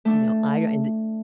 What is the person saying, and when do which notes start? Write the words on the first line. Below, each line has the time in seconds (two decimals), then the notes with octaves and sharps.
you know, I and i
0.05 A3 D4